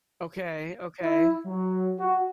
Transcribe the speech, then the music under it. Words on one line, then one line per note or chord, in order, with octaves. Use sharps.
Okay, okay.
E4
F#3
F#4